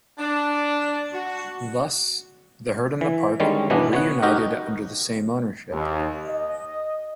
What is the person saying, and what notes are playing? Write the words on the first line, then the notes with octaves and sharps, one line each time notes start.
Thus, the herd and the park were reunited under the same ownership.
D4
F#4
E3
D3 D#3 G3 G#3 C#4
B2 E3 B3 D4
B3 C#5 F#5
D#4 F#4 G4 A#4 D#5
D#2
D#5